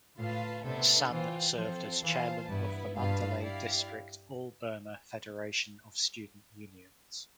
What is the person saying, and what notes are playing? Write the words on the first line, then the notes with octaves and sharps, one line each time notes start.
San served as chairman of the Mandalay District All Burma Federation of Student Unions.
A2 F4 B4 F5 A5
C3 B3 D4 A4 E5
E3 F4 C5 G5
F3 C4 F4 A4 C5
E3 F4 C5 F5 A5
G2 B3 E4 B4
G2 F4 B4 F5 A5
E4 G4 D5 F5